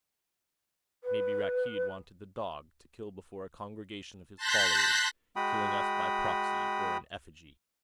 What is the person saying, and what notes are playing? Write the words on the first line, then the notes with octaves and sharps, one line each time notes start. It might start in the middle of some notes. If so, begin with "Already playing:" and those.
Maybe Rakkeed wanted the dog, to kill before a congregation of his followers, killing us by proxy, or in effigy.
B4
A5 C6 F#6 G6 A#6 B6
G#3 F#4 G5 B5 D#6